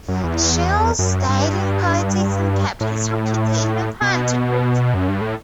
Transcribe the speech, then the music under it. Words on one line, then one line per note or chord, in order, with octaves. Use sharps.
Shiels stayed in politics and kept his reputation for integrity.
F#2
E2
F#2
G2
A2
B2
F#2
G2
A2